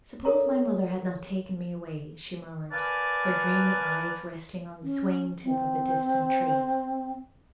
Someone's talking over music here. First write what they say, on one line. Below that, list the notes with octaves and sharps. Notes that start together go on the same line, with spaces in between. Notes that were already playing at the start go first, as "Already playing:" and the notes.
"Suppose my mother had not taken me away?" she murmured, her dreamy eyes resting on the swaying tip of a distant tree.
A4 A#4 C#5 A#5
A#4 B4 D5 F5 G#5 A5
C#4
C4